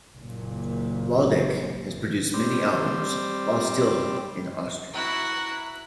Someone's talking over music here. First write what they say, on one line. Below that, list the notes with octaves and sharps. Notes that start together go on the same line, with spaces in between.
Waldeck has produced many albums while still in Austria.
F#1 A#2
G3 C4
E4 F#4 A#5 F#6